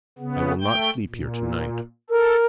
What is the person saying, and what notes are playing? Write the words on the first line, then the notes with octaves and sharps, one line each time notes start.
I will not sleep here tonight.
C#3 B3
A3 G5 G6
A#2
A4 A#4